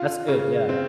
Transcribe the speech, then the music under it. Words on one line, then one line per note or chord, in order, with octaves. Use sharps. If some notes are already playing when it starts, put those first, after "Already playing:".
That's good, yeah.
Already playing: F4
C#3
C4